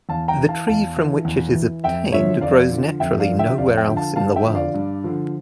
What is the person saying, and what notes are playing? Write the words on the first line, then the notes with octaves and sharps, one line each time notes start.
The tree from which it is obtained grows naturally nowhere else in the world.
E2 F5 A5
G5 A#5
E3
F5 A5
E2 F5 A5
E3
E2
E3
F2 E5 G5
D3 F3 C#5 E5
F2 D5 F5
D3 F3
F2 E5 G5
D5 F5
D3 F3
E5 G5
F2 D5 F5
E5 G5
D3 F3
F5 A5
G2 F5 A5
E5 G5
D3 F3
D5 F5
G2
D3 F3